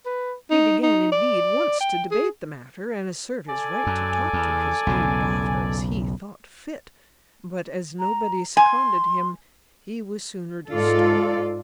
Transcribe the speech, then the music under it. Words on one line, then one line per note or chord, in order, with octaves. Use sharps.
He began, indeed, once to debate the matter, and assert his right to talk to his own daughter as he thought fit; but, as nobody seconded him, he was soon reduced to order.
B4
D#4
D#4
D5
G5
G#4
A4 D5 G#5
F#2
E2
B1 E2 C#3
A#5
G#5 C6
G#2 F4 A4 D5